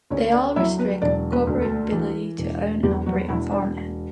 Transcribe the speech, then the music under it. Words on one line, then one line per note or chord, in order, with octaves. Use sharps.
They all restrict corporate ability to own and operate on farmland.
D2 C#4 C#5
D4 D5
F#3 E4 E5
B3 B4
E1 D4 D5
B3 B4
D2
A3 A4
E3
E1
E2 G3 G4
F#3 F#4
E1 E4
D4